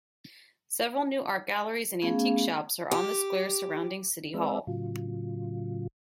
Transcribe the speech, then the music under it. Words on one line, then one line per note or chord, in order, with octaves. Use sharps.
Several new art galleries and antique shops are on the square surrounding City Hall.
A3 B3 C#4 G#4 F5
G4
G#3 C4 B4 D5 E5
A2 C#3 F#3 F4